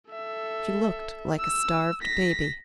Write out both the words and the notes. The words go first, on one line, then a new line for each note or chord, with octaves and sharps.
She looked like a starved baby.
A4 E5
E6
A#6 B6